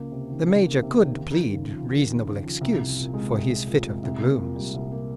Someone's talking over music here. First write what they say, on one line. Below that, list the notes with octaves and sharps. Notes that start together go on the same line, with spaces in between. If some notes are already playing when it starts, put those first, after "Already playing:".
The Major could plead reasonable excuse for his fit of the glooms.
Already playing: C#2 A#3
C3
D#3
C#2
A#3
C3
D#3
D#2
D#2
C#3
F3
D#2
D#2
C#3
F3
C2
C2
A#2
G#3
C2
C2
A#2
G#3
C2
A#3
A#2
G3
C2
A#3